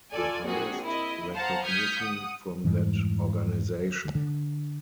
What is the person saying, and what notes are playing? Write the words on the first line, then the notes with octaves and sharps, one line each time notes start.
The highest recognition from that organization.
F4 A4 D5 G#5
A#1 C4 F#4 G#4
E4 D#5
C5 F5 F#5 A5 A#5
D#6 F6 G6 G#6 B6 C#7
F#5 D#6
F2 G#2 E3 G3
D3